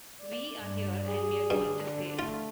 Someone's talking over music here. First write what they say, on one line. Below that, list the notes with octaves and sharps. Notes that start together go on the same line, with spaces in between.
We are here and we are going to stay.
D5
G2
G#4
G2 D3
A3 F4